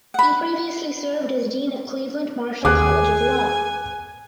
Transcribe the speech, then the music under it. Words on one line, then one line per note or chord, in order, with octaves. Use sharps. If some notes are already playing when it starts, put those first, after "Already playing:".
He previously served as Dean of Cleveland–Marshall College of Law.
F#5 B5
D#2 G#4 G#5 D6 F#6